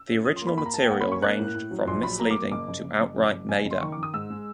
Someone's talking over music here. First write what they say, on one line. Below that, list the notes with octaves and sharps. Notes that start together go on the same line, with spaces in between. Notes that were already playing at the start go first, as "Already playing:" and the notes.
The original material ranged from misleading to outright made up.
Already playing: E6
C#4
F3 D#6
C6
A#3
B5
A#3 B5
A#5
A#3 A5
G5
A#3 F#5
B5
C#4
C#6
A#3 F#6
A2
A2
F#3
A#1 C6
F#3 B5
A#3 A#5
D6
A#3
F#1 D6
F#1
F#1
F#1
F#1
F#1
F#1 G#5
F#1
C6
D#3 C#6
D#3 D6
D#6
G#2 E6
G#3